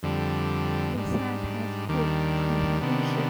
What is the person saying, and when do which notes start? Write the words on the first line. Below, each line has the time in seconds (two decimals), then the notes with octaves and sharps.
The site has good preservation.
0.03 F2 D3 G3
0.95 G#2 G3 D4
1.89 D#2 D#3 G3 D4
2.81 C3 D#3 B3 D4